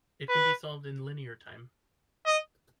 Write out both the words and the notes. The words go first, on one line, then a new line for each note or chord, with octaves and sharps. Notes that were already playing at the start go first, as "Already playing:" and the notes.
It can be solved in linear time.
B4
D#5